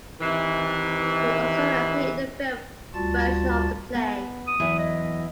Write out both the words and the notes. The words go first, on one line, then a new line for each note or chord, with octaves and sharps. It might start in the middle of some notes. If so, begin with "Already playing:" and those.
He also appeared in the film version of the play.
C3 D#3 E3
D2 G3 F4 F#4 A5 A6
B3
D#6
E2 E3 F#3
D#5